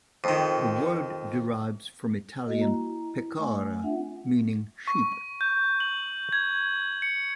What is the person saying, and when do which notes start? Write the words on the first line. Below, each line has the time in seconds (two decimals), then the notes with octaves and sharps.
The word derives from Italian "pecora" meaning sheep.
0.24 F2 D#3
2.46 A#3 F#4 D#5
2.58 E4 A#5
3.38 A3 G#5
3.83 C4 D4 F4 E5 F#5
4.88 C#6
5.41 G6
5.80 F#7
6.33 G#6
7.02 C#7